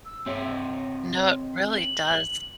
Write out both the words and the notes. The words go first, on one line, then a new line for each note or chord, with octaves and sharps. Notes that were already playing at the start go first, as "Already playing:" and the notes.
No, it really does,
E6
C4 G4 C#5 E5
D#5
F#7